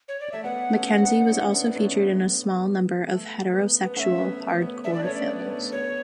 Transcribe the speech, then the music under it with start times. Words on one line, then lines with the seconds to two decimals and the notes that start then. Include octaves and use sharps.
McKenzie has also featured in a small number of heterosexual hardcore films.
0.08 C#5
0.20 D5
0.32 A3 E5
0.44 B3 F#5
0.73 A3 C#4
1.02 B3 D4
1.31 C#4 E4
1.54 B3 D4
1.68 B3
1.75 A3 C#4
1.97 B3
3.08 A3
3.52 B3
3.84 B3
3.96 A3 C#4 F#5
3.99 E5
4.19 B3
4.40 A3
4.62 B3
4.84 B3 D4 E5
4.94 D5
4.99 D4
5.04 A3 C#4 C#5
5.14 D5
5.28 B3
5.40 B3
5.50 A3
5.72 B3 C#5